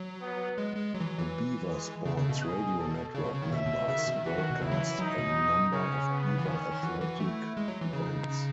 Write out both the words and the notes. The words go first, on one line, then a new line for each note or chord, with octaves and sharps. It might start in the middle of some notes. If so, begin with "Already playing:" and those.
The Beaver Sports Radio Network members broadcast a number of Beaver athletic events.
Already playing: F#3
B3
G#3
G#3
F#3
E3
F#3
E3
G#3
C#3 A3
C#3
B2
G#4
A4
C#3 C#5
B2
C#3
D#3
B2 E5
B2
C#3
D#3
B2
D#3
E3 F#4
D#3
B2
C#3 E4
F#3
E3
F#3 D#4
B2
C#3 C#4
B3
E3
D#3 C#4
D#3
E3 F#4
E3
A3 E4
G#3
F#3
E3
C#3 D#4
C#3